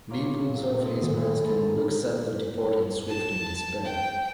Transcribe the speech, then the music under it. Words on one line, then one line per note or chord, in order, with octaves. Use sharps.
Lee pulls off his mask and looks at the departing Swift in despair.
C#5 F5 A#5 C6 D6
A#2 F#3
A3 C4 D#4 A4 C5 D#5
A2 D#3 F#3 G#3
D4 A#4 C5 A5 B5
G#4 A#4 A#5
A5
G5